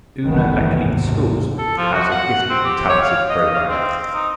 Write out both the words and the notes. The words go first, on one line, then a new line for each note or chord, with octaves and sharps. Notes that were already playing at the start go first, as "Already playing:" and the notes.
Unalakleet schools has a Gifted and Talented program.
F#1 C2 D#3 E3 A3 B3
G#1 D#2 C3
A4
F3
F#4
F#5
C4
G4
C#5
F5
D#5
F5
C4
D#4